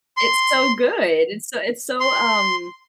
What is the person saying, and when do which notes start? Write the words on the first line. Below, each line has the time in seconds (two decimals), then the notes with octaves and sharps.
It's so good, it's so it's so, um
0.17 C6
2.00 C6